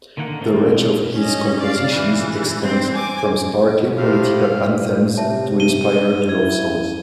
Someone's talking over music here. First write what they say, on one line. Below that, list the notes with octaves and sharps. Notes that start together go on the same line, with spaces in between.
The range of his compositions extends from starkly political anthems to inspired love songs.
D3 D#3 A#3 F#5
E3 A#3 C4 D4
C#4 D#5
D5 F5
E3
C4
G#5 D6
A2 G4 C5 F5
C3 C#5 E5 A5
D#7 G7
F#2 E4 G#6